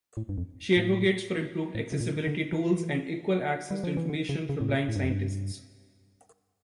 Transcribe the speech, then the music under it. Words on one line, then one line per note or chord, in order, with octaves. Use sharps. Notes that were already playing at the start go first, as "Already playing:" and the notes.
She advocates for improved accessibility tools and equal access to information for blind scientists.
A2
G2
F2
A2
A2
C#3
A#2
D3
E3
G3
F3
E3
D3
C#3
C#3
A2
A#2
A2
G2
F2
G2